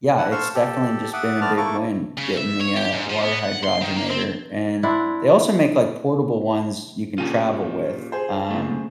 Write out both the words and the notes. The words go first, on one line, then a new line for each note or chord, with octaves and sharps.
yeah, it's definitely just been a big win getting the, uh, water hydrogenator and they also make, like, portable ones you can travel with, um,
D4 E4 F#5
A4 C5 F5 C6 C#6 E6
G4 A4
E5 F#5 D6 D#6
A3 B3 D5 A5 F6
A3 A#3 E4 A4 C#6 D6
C#3
E5
C#5
G4
G#2
F3
B3
F#5
C6
D#3
A#3
C4
C4 D4 E4 F#5
A#2 C#3 F4 G4 A4 D#7
G#4 C5
C#3 A3